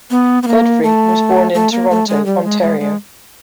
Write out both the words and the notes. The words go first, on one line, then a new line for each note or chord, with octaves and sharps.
Godfrey was born in Toronto, Ontario.
B3
B3
A#3
A3
A3
A#3
A3
G#3
G3
G#3
G#3
G#3